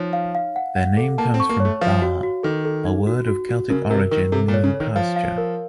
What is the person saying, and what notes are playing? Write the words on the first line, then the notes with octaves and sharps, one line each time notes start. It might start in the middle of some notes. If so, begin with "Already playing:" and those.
Their name comes from “bar”, a word of Celtic origin meaning pasture.
Already playing: F3 D#4 C#5
F5
F5
F#5
F#5
A4
A#3 A5
C4
C#6
A#3
A3 C#5
F3 F5
F#4
F#4
D#3 A4
A4
D#4
F#4
F#4
F#4
C#3 A#4
C3 A#4
D#3 A#4
C3 A4
A#2
C#5
C#3
C#5
D#3
F3 F5
F5
A#4